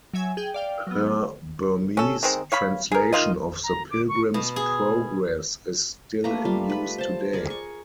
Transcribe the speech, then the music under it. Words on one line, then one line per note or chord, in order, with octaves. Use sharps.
Her Burmese translation of "The Pilgrim's Progress" is still in use today.
F#3 C#5 E5 G#5 G#6
G#4 G5
D5 F5 G5
F#3 B3
C#4 A4
D#3 G#3 C4
C#5 F5 B5
G#4 A#4
D#3 F4 D#5
A#5
D6
C#6
B2
G#4
A3 A#3 B4 A#5
G3 F4
B4 B5
C5 A5
G#4 A#4 D5
C#6